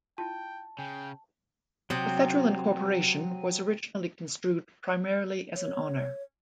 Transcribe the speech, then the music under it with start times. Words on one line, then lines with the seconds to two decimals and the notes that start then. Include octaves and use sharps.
The federal incorporation was originally construed primarily as an honor.
0.18 E4 F4 G5 A5
0.79 C#3 G5 G#5
1.90 C3 F#3 C4 D#6
5.55 C#5